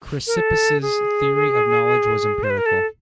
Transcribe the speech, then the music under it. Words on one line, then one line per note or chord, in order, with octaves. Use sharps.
Chrysippus's theory of knowledge was empirical.
A#4
A4
G#4
C5
B4
A#4
A4